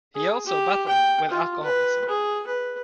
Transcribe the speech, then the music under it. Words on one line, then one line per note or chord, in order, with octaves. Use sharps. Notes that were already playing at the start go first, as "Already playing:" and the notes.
He also battled with alcoholism.
G#4
G4
G5
F4
B4
G#4
B4